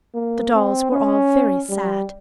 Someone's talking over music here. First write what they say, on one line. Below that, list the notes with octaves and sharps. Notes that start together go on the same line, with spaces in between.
The dolls were all very sad.
A#3
C4
C#4
G3